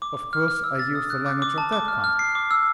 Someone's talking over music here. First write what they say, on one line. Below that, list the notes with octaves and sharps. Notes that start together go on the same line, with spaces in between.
"Of course, I use the language of that country."
D6
D6
F6
F6
E6
A6
D#6
F#6
D6
D6
A5
D6
F6
F6
C7
D6
E6